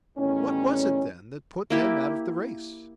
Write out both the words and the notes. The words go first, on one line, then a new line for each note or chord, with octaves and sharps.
What was it then, that put them out of the race?
E2 A2 D#3 G3 C#4
A#3 E4 G4